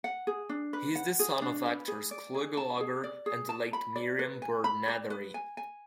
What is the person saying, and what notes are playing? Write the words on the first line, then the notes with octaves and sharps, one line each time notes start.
He is the son of actors Clu Gulager and the late Miriam Byrd Nethery.
F#5
G#4
D4
B4
F#5
G#4
D4
B4
G#4
D5
G#4
A5
G#4
D5
G#4
A5
B5
D5
B4
G#5
B5
D5
B4
G#5
G#5